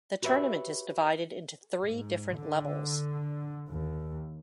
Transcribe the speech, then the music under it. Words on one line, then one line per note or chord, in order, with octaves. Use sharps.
The tournament is divided into three different levels.
F#4 G4 B4 C#5 E5
G#2
D3
D#2